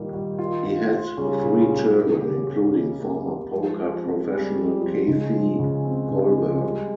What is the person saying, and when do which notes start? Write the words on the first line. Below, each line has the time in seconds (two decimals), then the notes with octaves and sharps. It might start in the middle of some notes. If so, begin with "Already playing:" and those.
He had three children, including former poker professional Kathy Kolberg.
Already playing: A#2 D#3 G3 A#3
0.13 G3
0.39 F4
0.65 F4
0.91 F4
1.18 C#3 G3
1.43 A#2
1.70 G3
1.95 C#3 A#4
2.22 G4
2.47 G4
2.73 D#4
3.00 A#3
3.25 G4
3.51 F3 G#3
3.77 G#3
4.03 C4
4.29 G3 G#3
4.55 F3
4.81 F3
5.08 C#3 G#3
5.33 F3
5.59 C#3
5.85 C4
6.11 C#3
6.37 F3
6.63 G3